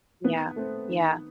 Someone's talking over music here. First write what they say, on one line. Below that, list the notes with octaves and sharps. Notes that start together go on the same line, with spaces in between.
Yeah, yeah,
D#3 B3 B4
A3 C4
D#3